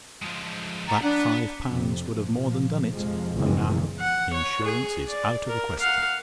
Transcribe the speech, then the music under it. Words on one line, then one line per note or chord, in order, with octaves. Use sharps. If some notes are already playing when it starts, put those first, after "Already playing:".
That five pounds would have more than done it--and now, insurance is out of the question.
F3 G#3
G3 B3 A#5
D4 B4 F#5
F2 C3
A#2 F3
F2 C3 F3 G#3
F#1 E2 B2 E3 F3 G#3
F#5
C#5
G#4
D5
A#4
F5 F#5